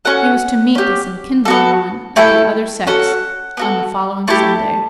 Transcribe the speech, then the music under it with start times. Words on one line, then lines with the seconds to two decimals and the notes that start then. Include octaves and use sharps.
He was to meet this enkindling one of the other sex on the following Sunday.
0.05 C#4 F#4 A4 F#5
0.75 C#4 G4
1.45 B3 F#4 A4
2.16 A3 E4 A4 G5
2.87 C#4 F#4 A4 F#5
3.57 B3 F#4 A4
4.28 A3 E4 G4 A5